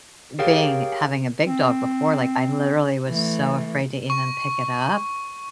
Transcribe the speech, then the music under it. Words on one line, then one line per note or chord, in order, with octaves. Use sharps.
being having a big dog before, like, I literally was so afraid to even pick it up
G4 G#4 A#4 C#5 F5 G5
C4
E3 A3
C#6